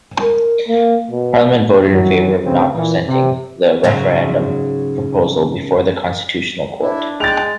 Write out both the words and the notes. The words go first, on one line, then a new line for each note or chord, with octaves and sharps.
Parliament voted in favour of not presenting the referendum proposal before the Constitutional Court.
A#4
A#3
B2
F#2 D#3 E3 F#3
D2 G2 C#3 C4 B4
A#2 E3
C3
G#2 C#3 F#3
D4 E4
G#3 G5 F#6 A6 F7